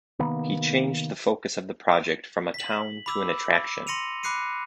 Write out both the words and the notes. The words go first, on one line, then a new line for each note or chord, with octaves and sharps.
He changed the focus of the project from a town to an attraction.
C3 D#3 A#3 B3
B6 F#7
B5 D6 E6
C6 A#6 C#7 D#7 F7
B5 D6 F#6 C7 C#7 D#7